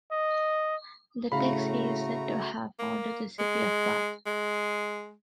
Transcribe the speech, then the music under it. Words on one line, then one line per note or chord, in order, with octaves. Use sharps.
In the text he is said to have founded the city of Bath.
D#5
A2 C#3 A3 F#4 F5 A#5 B5
A#3
G#3
G#3